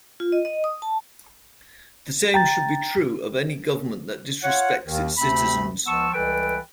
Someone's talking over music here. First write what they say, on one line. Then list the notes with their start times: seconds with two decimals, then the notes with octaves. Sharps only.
The same should be true of any government that disrespects its citizens.
0.20 F4
0.32 D#5
0.45 D#5
0.64 D#6
0.82 A5
2.34 G5 A#5 A6
4.44 F4 C#5 F#5
4.86 D#2 D#3
5.18 D2 C3 A3 C4 B5
5.86 C#2 F3 B3 A5 C#6 E6
6.14 C#2 E3 G3 A4 B4 G5